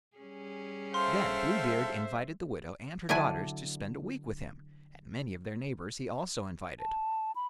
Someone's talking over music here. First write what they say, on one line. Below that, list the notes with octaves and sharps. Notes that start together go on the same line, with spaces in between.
Then Bluebeard invited the widow and her daughters to spend a week with him, and many of their neighbours he also invited.
G3 C#4 G#4
A4 C5 E5 F5 G5 C6
D3 F#3 D4 E4 G#5
A5
B5